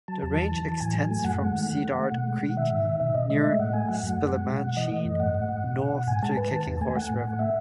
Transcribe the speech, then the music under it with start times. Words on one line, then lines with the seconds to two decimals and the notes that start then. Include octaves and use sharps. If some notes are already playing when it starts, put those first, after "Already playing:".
The range extends from Cedared Creek near Spillimacheen north to the Kicking Horse River.
0.08 F#3 A5
0.22 E2 A5
0.37 E3
0.52 E3
0.66 E3
0.80 A2 G#5
0.95 F#3
1.11 A3
1.24 F#2 F#5
1.39 G#3
1.54 D#3
1.69 A3
1.84 A3
1.98 A3
2.12 B2
2.27 G#3
2.42 B2
2.57 D#3 E5
2.71 G#2
2.86 D#3
3.00 B2 E5
3.14 B2 D#5
3.30 G#3 D#5
3.44 A3 E5
3.59 A2 F#5
3.73 A3 G#5
3.88 F#3 F#5
4.03 F#2
4.17 F#2
4.33 G#3
4.47 B2
4.62 B2
4.76 E3 D#5
4.91 A3
5.05 F#2
5.20 G#2 F#5
5.34 G#2
5.49 G#2
5.64 B2
5.79 B2
5.93 B2
6.07 G#2 G#5
6.23 G#3 A5
6.37 G#2 B4
6.51 D#3 A5
6.67 E2
6.81 A3 G#5
6.95 A3 F#5
7.10 A2
7.25 A2
7.39 A3 E5